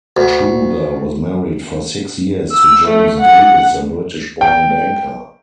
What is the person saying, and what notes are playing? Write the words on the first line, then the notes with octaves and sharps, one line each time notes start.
Kruger was married for six years to James Davies, a British-born banker.
D2
E6
A3
F#5
G5